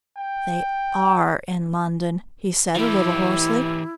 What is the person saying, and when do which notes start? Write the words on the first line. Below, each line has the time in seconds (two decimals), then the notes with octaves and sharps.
"They are in London," he said a little hoarsely.
0.17 G5
2.75 E3 E4 G4